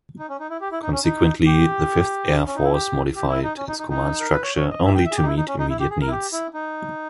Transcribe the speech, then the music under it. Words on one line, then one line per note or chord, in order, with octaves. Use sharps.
Consequently, the Fifth Air Force modified its command structure only to meet immediate needs.
D#4
C#4
D#4
E4
G4
E4
D#4
C#4
D#4
G4
C#4
D#4
E4
G4
G4
E4
D#4
C#4
D#4
D#4
D#4
A#4
B4
C#5
C#5
D#5
E5
G5
E5
G#4
G4
D#4
E4
D#4
C#4
D#4
E4
G4
G#4
A#4
E4
G4
E4
D#4